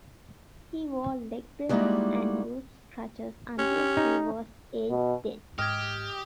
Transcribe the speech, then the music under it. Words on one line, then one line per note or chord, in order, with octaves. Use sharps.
He wore leg braces and used crutches until he was aged ten.
G3 G#3 A#3 D#4 E4 F#4
C#4 G4
D#4
B2
G#2 G4 D#5 F6 G#6